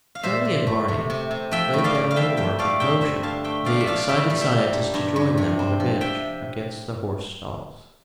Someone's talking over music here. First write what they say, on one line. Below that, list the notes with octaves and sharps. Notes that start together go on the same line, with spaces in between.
Johnny and Barney laid down their work and motioned the excited scientist to join them on a bench against the horse stalls.
F5
A#2 C5 E5
A#2
A3
C3
C3
C3
F3 E5 G5
A2
G5
D5 F5
A2
F5
F2 E5 G5
F2 E5 G5
A3 D5 F5
G2 E5 G5
C4 E5 G5
D3 F5 A5
A3 E5 G5
C3 D5 F5
E5
F3 D5 F5
F5
A2 E5 G5
G3
E5 G5
A#3
G2
G2
G2
C3
C4
F3
C3 E5 G5